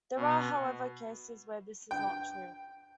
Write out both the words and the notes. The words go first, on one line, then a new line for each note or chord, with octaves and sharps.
There are, however, cases where this is not true.
B2
G5